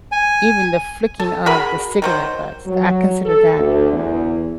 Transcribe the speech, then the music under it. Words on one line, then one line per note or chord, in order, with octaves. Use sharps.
even the flicking of the cigarette butts, I consider that,
G#5
A4
F#4 G#4 A#4 B5
D#3 F#3 C5
F#3
A4
D2
E2